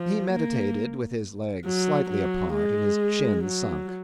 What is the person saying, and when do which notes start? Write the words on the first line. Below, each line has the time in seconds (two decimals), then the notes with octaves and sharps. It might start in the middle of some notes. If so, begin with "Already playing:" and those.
He meditated, with his legs slightly apart and his chin sunk.
Already playing: F3
0.31 A#3
1.65 F#3
2.09 F#3
2.54 G#3
3.44 F#3